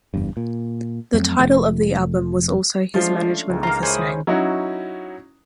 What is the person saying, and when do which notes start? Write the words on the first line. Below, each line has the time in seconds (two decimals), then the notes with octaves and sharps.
The title of the album was also his management office name.
0.14 F#1 E2 G2
0.37 A#2
1.14 F2 F#3 A3 C4
1.38 F1 C3 F3 A3
2.94 F3 G#3 A3 C#4 D4 F4
3.50 C#2 D#3 G#3 A#4
3.63 A#3 F4 A#5
3.83 A#3 C#4 E4 C5 C#5 G#5 B5 D#6
4.27 F#3 C#4 D#4 E4 F#4